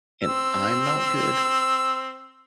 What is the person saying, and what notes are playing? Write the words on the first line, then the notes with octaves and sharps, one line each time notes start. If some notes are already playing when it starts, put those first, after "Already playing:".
and I'm not good
C4 E6